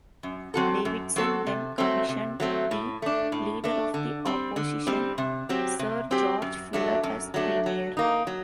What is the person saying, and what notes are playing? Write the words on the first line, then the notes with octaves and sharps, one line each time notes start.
Davidson then commissioned the Leader of the Opposition, Sir George Fuller, as Premier.
F#2
F#3 C4 F#4 A4
F#2
F#3 C4 F#4 A4
C3
F#3 A3 C4
C3
F#3 A3 C4
A2
A3 D4
A2
A3 D4
D3
G3 C4
D3
G3 C4
C3
F#3 C4 G4
C3
F#3 C4 G4
F#2
F#3 A3 D4
F#2
F#3 A3 D4
F#3
A#3 D#4
F#3